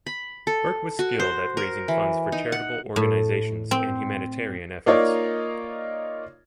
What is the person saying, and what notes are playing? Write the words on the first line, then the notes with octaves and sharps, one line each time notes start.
Burke was skilled at raising funds for charitable organizations and humanitarian efforts.
B5
A4
F#4
C5
A#4
E3
D#4
F#5
A2
C4
A#3 D#4 F4 C#5 D5